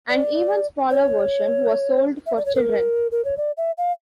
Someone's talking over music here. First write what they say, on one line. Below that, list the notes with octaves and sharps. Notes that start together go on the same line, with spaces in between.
An even smaller version was sold for children.
D5
C#5
E5
D5
C#5
A#4
A#4
C#5
D5
E5
F5